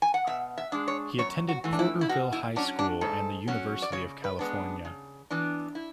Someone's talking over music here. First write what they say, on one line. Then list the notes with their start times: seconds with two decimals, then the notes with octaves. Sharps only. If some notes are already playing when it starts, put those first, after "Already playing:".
He attended Porterville High School and the University of California.
0.02 G#5
0.14 F#5
0.27 B2 E5
0.58 E5
0.72 G#3 D4
0.88 C#5
1.18 F#2 C#5
1.49 F#4
1.64 E3 A3
1.73 D4
1.79 E4
2.01 E4
2.09 B2 F#4
2.32 E4
2.56 F#3 C#4 D4
2.79 D4
3.01 G#2 A4
3.48 F#3 C#4
3.82 D5
3.92 C#3 C#5
4.24 B4
4.39 G#3 B3 D4
4.85 C#3
5.30 E3 B3 D4
5.75 E4